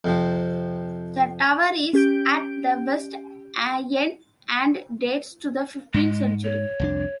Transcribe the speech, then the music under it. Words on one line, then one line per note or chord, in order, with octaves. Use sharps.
The tower is at the west end and dates to the fifteenth century.
F2 C3 F3
C#4 G4 G6 D7
G#2 G#3
C#5
C2 F2 D4